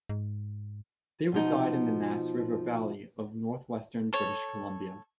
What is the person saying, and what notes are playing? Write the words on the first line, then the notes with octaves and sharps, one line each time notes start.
They reside in the Nass River valley of northwestern British Columbia.
G#2
B2 F3 D#4
A4 C#5